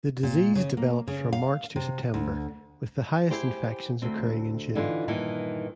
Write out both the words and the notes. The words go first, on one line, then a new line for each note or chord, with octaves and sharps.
The disease develops from March to September, with the highest infections occurring in June.
A#2
C#3
A#3
C#3
F5
C3
D2
E4 G4 G#4 C5
D2 C4
D3 E3 D#4 F4
G2 A#2 D#3 E3